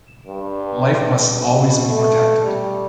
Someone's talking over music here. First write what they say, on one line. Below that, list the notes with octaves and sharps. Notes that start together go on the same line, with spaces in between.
Life must always be protected.
G2
B2
A3
G3